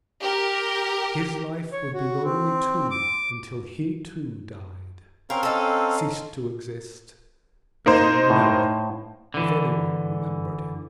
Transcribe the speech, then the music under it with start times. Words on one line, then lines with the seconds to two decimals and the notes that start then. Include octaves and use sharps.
His life would be lonely too until he, too, died, ceased to exist, became a memory--if anyone remembered him.
0.22 G4 A#4
1.72 C#5
1.94 F#4
2.24 C4
2.91 D6
5.30 C4 C#4 A#4 F5
5.43 D#4 A4
7.86 A#3 D#4 C5
8.30 A2
9.34 D3 E3